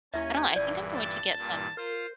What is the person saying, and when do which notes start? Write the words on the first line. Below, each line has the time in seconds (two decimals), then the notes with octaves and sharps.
I don't know, I think I'm going to get some,
0.14 D#2 C#4 E4 E5 G#5
0.56 D#1 G2 E3 D5
0.95 A5
1.37 G2 A#2
1.77 F4 A#4 C5